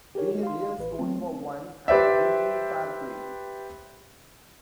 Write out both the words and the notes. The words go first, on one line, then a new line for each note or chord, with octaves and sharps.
Be a real sport for once and give me fair play.
G4 G#4 A#4 C#5
G#3 F#4
F5 C6
A1 B4
F#3 A3 C4
G4 B4 C5 D5 E5